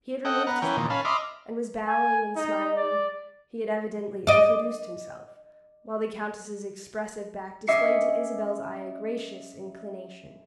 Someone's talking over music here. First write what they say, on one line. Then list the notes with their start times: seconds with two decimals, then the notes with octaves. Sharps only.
He had removed his hat and was bowing and smiling; he had evidently introduced himself, while the Countess's expressive back displayed to Isabel's eye a gracious inclination.
0.25 A4 D#5 F#5 G5
0.47 B3 F#5 A#5
0.62 E3 C#4 A#4 G5
0.77 A#2 D#3
0.90 C#4 F5 A5 B5
1.05 D#5 E5 B5 C6 D6 F6
1.87 G#5
2.36 D#4
2.76 D5
4.27 D5 D#5
7.67 C#4 D#5 E5 D6 C7 C#7